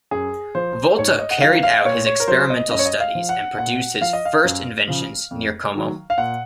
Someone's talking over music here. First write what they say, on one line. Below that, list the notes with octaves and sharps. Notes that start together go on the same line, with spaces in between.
Volta carried out his experimental studies and produced his first inventions near Como.
F#2 G#4
F3 C5
G#2 C#5
D#5
F#5
D#3 F#3 F5
F5
A#2 C#5
C#5
A#4
F#3 C5
D#5
F#2 D#5
C#5
D#5
F5
F3
F#5
A#2 F#5
F3 F5
D#5
F5
F#2
C#3 F3
F2
D#3 F#3
F5
A#2 F#5